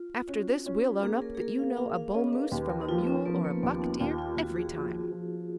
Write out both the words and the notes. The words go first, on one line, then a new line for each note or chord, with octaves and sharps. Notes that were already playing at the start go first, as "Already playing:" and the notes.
"After this, we'll own up that you know a bull moose from a mule or a buck deer every time."
Already playing: F4
C#4 F#4
C#4
A#3 G#4
A#4
G#4
A#3 A#4
F5
A#3 F5
F5
C#4 D#5
B4
D#2 B4
A#4
D#4
F3 F4
C#4
F3 B3
A#3
D#2 B3
D#4
D#2 F4
F4
D#2 F#4
G#4
F3
F3